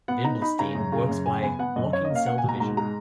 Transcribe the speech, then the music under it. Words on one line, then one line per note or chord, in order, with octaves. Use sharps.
Vinblastine works by blocking cell division.
B3 F#5
D#4 A#5
D#4 B5
C#3 A#5
F#2
C#3
F#2
C#3 G#5
B3 G#5
B3 F#5
F#2 D#5
C#4 C#5
D#5
A#3
F5
A#3 F#5
G#5
B2
A#5
G#2 A#5
G#3 A#5